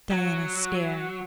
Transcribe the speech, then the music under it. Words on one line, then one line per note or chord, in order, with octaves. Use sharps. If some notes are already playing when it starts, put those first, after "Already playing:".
Diana stared.
F#3